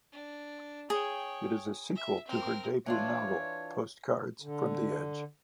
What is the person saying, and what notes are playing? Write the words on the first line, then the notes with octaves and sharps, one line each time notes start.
It is a sequel to her debut novel "Postcards from the Edge".
D4
G#4 C#5 G5
E5
C4 A#4
E3 D4 F4 C#5
D3